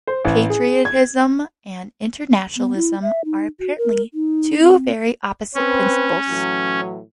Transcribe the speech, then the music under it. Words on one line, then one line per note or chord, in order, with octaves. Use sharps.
Patriotism and internationalism are, apparently, two very opposite principles.
C5
A1
G#4
G#6
B3
E4
E5
D#4
F#4
A#4
D#4
C4
C4 C#4 B4
A2 E3 F#3